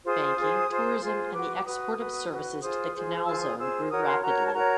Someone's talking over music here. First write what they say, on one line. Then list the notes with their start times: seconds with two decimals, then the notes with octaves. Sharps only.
Banking, tourism, and the export of services to the Canal Zone grew rapidly.
0.05 F4 G#4 C5 D#6
0.37 F4 G#4 C5
0.69 F4 G#4 C5
1.01 F4 G#4 C5
1.33 F#4 B4 D6
1.57 D6
1.65 F#4 B4 D#6
1.98 F#4 B4
2.30 F#4 B4
2.61 F4 G#4 C5 D#6
2.94 F4 G#4 C5
3.26 F4 G#4 C5 E6
3.42 D#6
3.58 F4 G#4 C5 E6
3.90 F#4 A#4 C#5 D#6
4.07 C6
4.23 F#4 A#4 C#5 A#5
4.46 A5
4.54 F#4 A#4 C#5 A#5